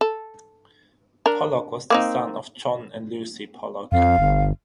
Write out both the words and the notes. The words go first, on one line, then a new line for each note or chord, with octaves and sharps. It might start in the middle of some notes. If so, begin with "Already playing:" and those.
Pollock was the son of John and Lucy Pollock.
A4
D4 A#4
A#3 C4 D#4
F2 F5
G1